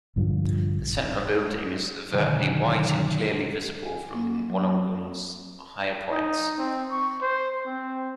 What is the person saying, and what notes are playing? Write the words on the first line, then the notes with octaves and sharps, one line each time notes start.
The centre building is overtly white and clearly visible from Wollongong's higher points.
A#1 G2 D3 F3
F#2 B2 D3 D#3 G#3
A4
G#5
A#3
F#3
D#4
C4
C#6
C5
C4